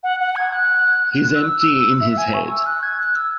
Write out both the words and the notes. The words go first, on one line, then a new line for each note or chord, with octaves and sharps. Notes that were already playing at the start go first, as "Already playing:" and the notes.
He's empty in his head.
F#5
F#5
G#6
F#6
E6
E5
G#5
C#6
E6
F#6
G#6
F#6
E6